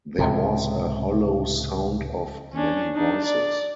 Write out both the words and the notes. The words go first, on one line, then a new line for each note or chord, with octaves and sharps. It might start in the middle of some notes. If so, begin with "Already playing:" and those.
There was a hollow sound of many voices.
C#2 A2 C3
C#4 D4
D4 D#4
D5